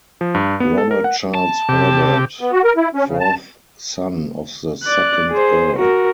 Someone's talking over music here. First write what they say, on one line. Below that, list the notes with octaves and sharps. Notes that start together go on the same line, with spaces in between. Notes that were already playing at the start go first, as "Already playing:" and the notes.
Robert Charles Herbert, fourth son of the second Earl.
F3
G2
B3
A4
A#4
F#5
A5
C3 G4
B3
F#4
A#4
E4
C#4
C#3
A5
D5 F#6
G#4 C5
F#4 A#4